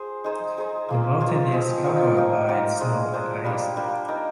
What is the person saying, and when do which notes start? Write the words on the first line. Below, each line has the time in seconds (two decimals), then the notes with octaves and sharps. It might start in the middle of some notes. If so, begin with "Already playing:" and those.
The mountain is covered by snow and ice.
Already playing: G#4 C5
0.24 D#4 G#4 C5 D#5
0.57 D#4 G#4 C5 D#5
0.89 A#3 F4 G#4 C5
1.20 A#3 F4 G#4 C5
1.52 F3 C4 D#4 G#4
1.84 F3 C4 D#4 G#4
2.16 A#3 D#4 G4 A#4
2.49 A#3 D#4 G4 A#4
2.80 D4 G#4 C5 D#5
3.13 D4 G#4 C5 D#5
3.44 G3 A#3 D4 G4
3.76 G3 A#3 D4 G4
4.08 D#4 A#4 D5